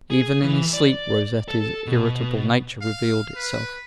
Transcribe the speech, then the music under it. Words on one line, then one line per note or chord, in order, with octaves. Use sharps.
Even in his sleep Rosette's irritable nature revealed itself.
G#4
E3
D5
A4
B2
F5
B4